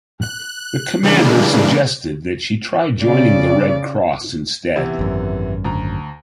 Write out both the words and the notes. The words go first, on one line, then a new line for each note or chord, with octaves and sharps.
The commander suggested that she try joining the Red Cross instead.
F#6
C#3 E3 G3 G#3 A#3 D4
C#3 D5
C3 E3 B3
G#1 F#2
D2 A#5